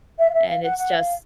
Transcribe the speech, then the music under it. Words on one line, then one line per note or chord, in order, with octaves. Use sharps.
and it's just,
E5
F5
E5
F5
F#5
F#5
F5